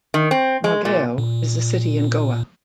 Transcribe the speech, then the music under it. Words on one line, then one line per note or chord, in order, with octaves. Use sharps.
Margao is a city in Goa.
D#3
C4
G#3
A#2
A#2